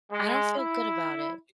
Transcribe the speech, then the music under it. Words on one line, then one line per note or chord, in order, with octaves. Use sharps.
I don't feel good about it.
G#3
E4